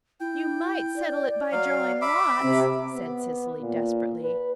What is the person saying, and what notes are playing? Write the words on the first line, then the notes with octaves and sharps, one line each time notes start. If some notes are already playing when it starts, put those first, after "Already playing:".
"You might settle it by drawing lots," said Cecily desperately.
E4 G5
D5
F#3 F5
E5 B5 D6
C3 C4
B3
A#2
B4